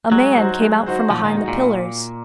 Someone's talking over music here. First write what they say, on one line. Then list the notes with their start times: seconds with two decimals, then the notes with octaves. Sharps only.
A man came out from behind the pillars.
0.12 F#3 G#3
0.37 D#4 F#4 C5
0.61 G#3
0.86 D#4 F#4 C5
1.10 A#2 F3
1.24 D#3
1.35 G#3 D#4 F#4
1.48 A#2